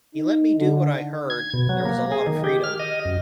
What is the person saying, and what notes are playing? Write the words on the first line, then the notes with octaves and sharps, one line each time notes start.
He let me do what I heard, there was a lot of freedom.
D#4
D3
G#6
B2
F#3
A#3
G#4
D#3
G4
F6
D#5
F#2